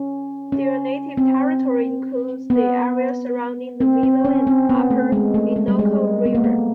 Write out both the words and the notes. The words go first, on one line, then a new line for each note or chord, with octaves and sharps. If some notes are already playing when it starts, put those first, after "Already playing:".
Their native territory includes the area surrounding the middle and upper Innoko River.
Already playing: C#4
C#4
C4
B3
C4
C4
C#4
C4
B3
A3
G#3
A3
G#3
G3
G#3
B3
A#3
A3